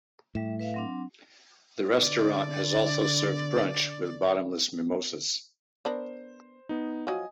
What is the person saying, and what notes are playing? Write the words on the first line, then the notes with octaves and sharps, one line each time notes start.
The restaurant has also served brunch with bottomless mimosas.
A2 G3 E5
B4 E5 F5
F#3 C4 D4
D3 D5
B3 D4 A#4 C5
B3 D#4
F3 F#3 D#5 G#5 D#6